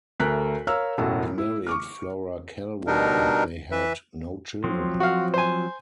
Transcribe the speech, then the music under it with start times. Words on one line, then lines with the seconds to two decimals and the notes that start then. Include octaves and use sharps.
He married Flora Calvo and they had no children.
0.20 D2 A3 A#4 F#6 B6
0.67 A#4 C#5 F5 A#5 E6 F6
0.98 E1 A1 F#2 F#3 F#4 A4
1.38 E4
1.67 C#6 D6 F6
2.87 B2 G3 D4 D#4 A#4
3.71 E3 B4 E5
4.64 F3 F#3 C4
5.00 F#4 F5
5.34 C5 G#5